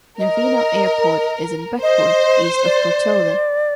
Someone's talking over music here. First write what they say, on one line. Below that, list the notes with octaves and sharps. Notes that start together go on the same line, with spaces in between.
Nervino Airport is in Beckwourth, east of Portola.
A#4 D#5
C5 D#5
D5